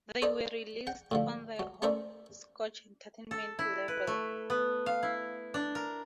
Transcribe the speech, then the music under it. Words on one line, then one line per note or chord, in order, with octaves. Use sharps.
They were released on the Hopscotch Entertainment label.
A4 C5 D5 D#5 A5
F#5 G5
A2 D3 F3
F#3
A3 C#4 A#4 C5 D5 E5
A4
E4
B4
A3
B3
F5
E4
D4
A#4